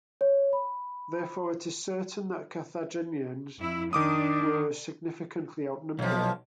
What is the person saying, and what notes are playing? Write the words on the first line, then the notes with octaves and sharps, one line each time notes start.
Therefore, it is certain that Carthaginians were significantly outnumbered.
C#5
B5
F2 E4
D#3 D4 D6 D#6
B1 A2 F3